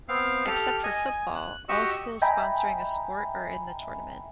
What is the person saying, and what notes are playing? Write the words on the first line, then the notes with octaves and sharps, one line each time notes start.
Except for football, all schools sponsoring a sport are in the tournament.
B3 C4 F5
G4 A4 F6
D#5 G#5
G#5
F#6
F#4 G4 D#5 C#6 E6
D#5 E5 G5 G#5 A#5 B5